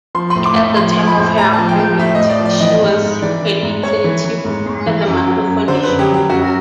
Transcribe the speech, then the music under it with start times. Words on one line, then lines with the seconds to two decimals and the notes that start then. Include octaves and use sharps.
At the time of her appointment, she was an executive at the Markle Foundation.
0.15 F3 C6
0.30 C6
0.35 A2
0.46 D6
0.56 A2
0.76 F3 C6
0.97 F3
1.07 B5
1.17 A2
1.38 A2 A#5
1.53 A5
1.58 F3
1.69 G5
1.79 F3
1.99 A2 E5
2.15 D#5
2.20 A2
2.30 D5
2.40 F3
2.45 D5
2.60 E3 D#5
2.82 G#2
3.02 G#2
3.22 E3 D5
3.42 E3
3.63 G#2
3.83 G#2 C#5
4.04 E3
4.25 E3
4.45 G#2
4.66 G#2
4.86 E3
5.07 F#2
5.27 F#3
5.47 F#2
5.68 D3 C5
5.83 F#2 B4
5.99 G4
6.09 F#3 G4
6.30 F#2 F#4